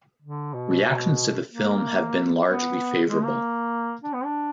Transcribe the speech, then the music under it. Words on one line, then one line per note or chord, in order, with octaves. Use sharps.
Reactions to the film have been largely favorable.
D3
B2
A#3
B3
G#3
A#3
D4
B3
D4